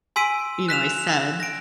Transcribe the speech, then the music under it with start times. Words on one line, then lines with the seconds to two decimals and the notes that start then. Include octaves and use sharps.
you know, I said"
0.16 G#5 C6 E6 B6 D7 D#7
0.69 F#6 B6 E7 F7
1.40 A#6 D7